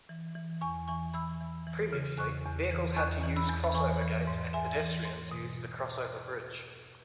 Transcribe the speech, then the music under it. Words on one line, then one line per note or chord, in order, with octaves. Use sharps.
Previously, vehicles had to use crossover gates and pedestrians used a crossover bridge.
E3
E3
E2 G#5 C#6
E3 G#5 C#6
E3 B5 E6
E3
E3
C#3
E2 C#6 F#6
E2
E3
E2 C#6 F#6
E3
B5 E6
E2
B5
E3 G#5 C#6
E3
G#2
G#2 E5 G#5
E3
G#2
B2